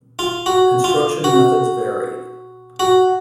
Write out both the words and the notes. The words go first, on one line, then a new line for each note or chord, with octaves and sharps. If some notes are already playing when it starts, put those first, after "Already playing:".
Construction methods varied.
F4
F#4
F4
F#4
F#4